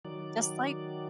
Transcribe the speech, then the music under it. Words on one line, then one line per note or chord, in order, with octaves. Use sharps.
just, like,
D#3 F#3 D5